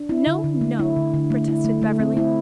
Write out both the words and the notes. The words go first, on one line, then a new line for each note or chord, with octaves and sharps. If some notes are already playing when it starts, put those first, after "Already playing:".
"No, no!" protested Beverly.
Already playing: D4
E4
D3
D3
A3
E4
D3
D3
A3
E4
A3
A3
C4
E4